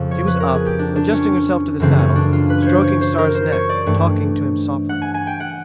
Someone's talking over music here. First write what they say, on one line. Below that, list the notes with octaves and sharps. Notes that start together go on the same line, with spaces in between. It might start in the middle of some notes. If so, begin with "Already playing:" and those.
She was up, adjusting herself to the saddle, stroking Star's neck, talking to him softly.
Already playing: F2 C#3 F3
C#5
B4
A#4
G#4
G4
D4
D4
C#4
F#2 C#3 E3 A3 C4
C#4
D4
F4
B4
C5 C#5
C#5
C5
A#4
C5
C#5
D5
G2 E3 A3
F#5
G#5
G#5
G5
F#5